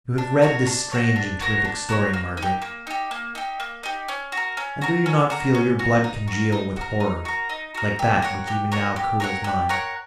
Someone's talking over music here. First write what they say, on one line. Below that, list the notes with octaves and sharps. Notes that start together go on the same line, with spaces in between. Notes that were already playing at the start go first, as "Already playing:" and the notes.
You have read this strange and terrific story, Margaret; and do you not feel your blood congeal with horror, like that which even now curdles mine?
D4
F#4 A#4 C#5
D4
F#4 A#4 C#5
D4
F#4 A#4 C#5
D4
F#4 A#4 C#5
A#3
D#4
G4
A#3
D#4 G4
A#3
D#4 G4
A#3
D#4 G4
C#4
F#4
A#4
C#4
F#4 A#4
C#4
F#4 A#4
C#4
F#4 A#4
D#4
F#4 A#4
D#4
F#4 A#4
D#4
F#4 A#4
D#4
F#4 A#4
G4
A#4 C#5 F#5
G4
A#4 C#5 F#5
G4
A#4 C#5 F#5
G4
A#4 C#5 F#5